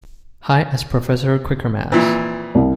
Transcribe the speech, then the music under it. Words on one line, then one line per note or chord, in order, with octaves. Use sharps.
High as Professor Quakermass.
F2 A#2 E3
C2